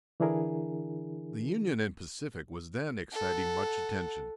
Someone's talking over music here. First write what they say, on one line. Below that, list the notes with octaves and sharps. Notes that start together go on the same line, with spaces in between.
The Union and Pacific was then exciting much attention.
D3 E3 D4 E4 G#4 A#4
A4 F#5